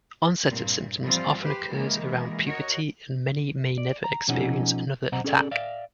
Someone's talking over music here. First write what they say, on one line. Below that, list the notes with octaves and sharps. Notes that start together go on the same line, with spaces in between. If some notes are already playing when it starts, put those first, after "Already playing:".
Onset of symptoms often occurs around puberty and many may never experience another attack.
G2 A#2 C4
E3 F3 G3 C4 F4
G4 B4 C5
C3 D#3 E3 G#3 A#3
F#4 A#4 C#5 D#5
D5
A#5
B2 F3 C#4 D#4 G#4 F#5
B1 C3 C5 D#5 F#5 A#5
C#4 G#4 A4 C5 D5
D5 E5 F5